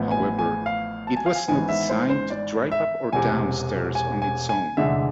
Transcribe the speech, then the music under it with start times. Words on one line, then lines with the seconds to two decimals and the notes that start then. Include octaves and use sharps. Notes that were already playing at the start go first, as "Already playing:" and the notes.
However, it was not designed to drive up or down stairs on its own.
Already playing: A1 A2 F3 B3
0.11 G#5
0.39 G#5
0.66 F5
1.07 A5
1.16 G#5
1.26 F5
1.35 G#5
1.48 G#1 G#2 E3 B3 G#5
1.69 E5
1.89 C5
2.10 C5
2.30 D5
2.72 E5
3.12 E1 E2 C3 G#5
3.95 G#5
4.22 G#5
4.49 G#5
4.77 F1 E2 D3 G#3 E5